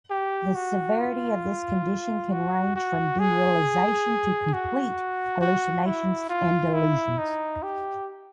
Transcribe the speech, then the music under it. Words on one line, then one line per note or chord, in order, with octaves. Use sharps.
The severity of this condition can range from derealization to complete hallucinations and delusions.
G4
F#4
F4
F#4
F#4
G#4
F#4
F#4
E4
F4
E4
D#4
G4